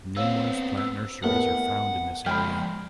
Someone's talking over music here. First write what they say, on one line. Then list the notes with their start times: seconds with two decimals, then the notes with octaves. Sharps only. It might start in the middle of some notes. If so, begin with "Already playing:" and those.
Numerous plant nurseries are found in this area.
0.17 B3 C4 C#5 F5 E6
0.78 E6
1.24 A2 B3 A#4 F#5
2.26 F3 G#3 G5 B5 F6